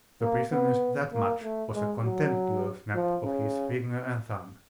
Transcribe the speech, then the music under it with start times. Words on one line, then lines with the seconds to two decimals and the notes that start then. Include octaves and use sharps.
The prisoner's "that much," was a contemptuous snap of his finger and thumb.
0.21 A#3
0.51 B3
1.12 A#3
1.43 A3
1.73 G#3
2.03 F#3
2.94 F3
3.25 C#3